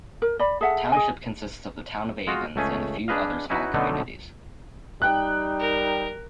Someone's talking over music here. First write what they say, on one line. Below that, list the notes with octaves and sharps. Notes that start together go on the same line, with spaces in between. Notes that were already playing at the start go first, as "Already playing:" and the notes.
The township consists of the town of Athens and a few other small communities.
A#4
D5 B5
G#4 A4 E5 F#5
G#4 D#5 G#5
G#3 F4 F#4 D#5 F5
C#2 A3 C#4 G#4 G#5
D4 G#4 B4 D#5 F5
C#4 D#4 E4 F#4 B4
B2 D3 F#3 A3 B3 D#4
G3 D#4 G5 F#6
A#4